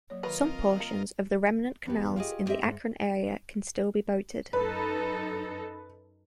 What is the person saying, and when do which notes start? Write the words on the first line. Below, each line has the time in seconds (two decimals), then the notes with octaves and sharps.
Some portions of the remnant canals in the Akron area can still be boated.
0.10 F#3 A#3 C#5
0.23 D#3 F4 A#4 B4 D#5 C#6
0.41 C4
0.80 A#3
1.86 E2 B3 G4
2.16 F4 G4 G#4 D#5
2.46 B3 C4 G4 D#5 E5
2.63 G#2
4.53 F#2 D#4 A4 B4